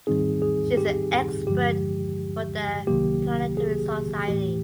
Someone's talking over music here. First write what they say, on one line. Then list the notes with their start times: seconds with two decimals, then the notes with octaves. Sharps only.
She is an expert for The Planetary Society.
0.07 G#2 D#3 G3 C4 D#4 G#4
0.42 G#4
0.77 G4
1.47 G2 D3 F3 G#3 G4
2.87 C2 C3 D#3 F#3 A#3 G4
3.57 G#4
4.28 A2 E3 A3 G4